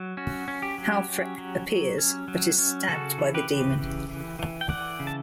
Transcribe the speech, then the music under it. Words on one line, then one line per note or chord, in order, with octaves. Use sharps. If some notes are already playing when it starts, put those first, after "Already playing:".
Halfrek appears, but is stabbed by the demon.
Already playing: F#3
C#4 F#4
C#4
G4
F#3
C#4
F#3
F#3
C#4
F#3
C#4
C#3 F#4 A4
E3
G4 B4
C#3
E3
E3
E3
G5
E3 D5 F#5
C#3
A5